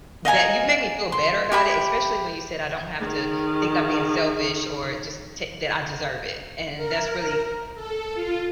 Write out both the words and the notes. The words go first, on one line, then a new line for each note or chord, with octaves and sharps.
be you've made me feel better about it, especially when you said I don't have to think I'm being selfish or just t that I deserve it. And that's really
D#5 F5 G#5 A#5
C6
G4 E5 B5
D#3 G#4
A#4
A4
F4